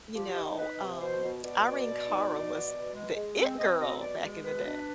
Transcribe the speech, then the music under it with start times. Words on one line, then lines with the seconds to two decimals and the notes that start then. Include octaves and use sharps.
you know, um, Irene Cara was the it girl back in the day,
0.15 F3 G4
0.36 D#4
0.58 D#4 B4
0.79 C3
1.00 B2 C5
1.23 B2
1.44 B2 D5
1.65 B2
1.87 B2
2.07 D#4
2.29 B2
2.51 B2
2.72 B2
2.94 G#3
3.15 G#3
3.36 C4
3.58 C4 D#5
3.79 B2 D#5
4.01 B2 D5
4.22 G#3 D5
4.44 B2 B4
4.65 D4